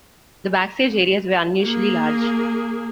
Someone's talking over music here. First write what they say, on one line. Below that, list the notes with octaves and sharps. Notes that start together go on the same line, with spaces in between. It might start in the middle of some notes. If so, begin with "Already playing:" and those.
The backstage areas were unusually large.
A#3 G#4